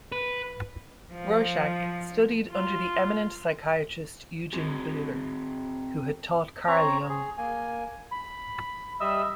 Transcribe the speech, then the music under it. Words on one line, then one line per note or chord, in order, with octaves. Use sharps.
Rorschach studied under the eminent psychiatrist Eugen Bleuler, who had taught Carl Jung.
B4
F3
F4
C4 F#4 G#4
C4 C#5 A#5
G#4
A#3 G#5
B5
G3 D#5 E5 E6